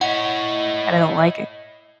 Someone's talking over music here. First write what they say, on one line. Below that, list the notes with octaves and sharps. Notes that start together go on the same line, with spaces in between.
and I don't like it.
E4 C#5 D#5 F#5